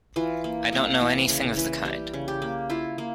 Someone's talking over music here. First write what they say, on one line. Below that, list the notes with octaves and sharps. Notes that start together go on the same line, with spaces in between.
I don't know anything of the kind.
E3 F4
A#3
A#3
E3
C#3
E3
G3 G4
C#3
G4
A#3
E4 F4
A#3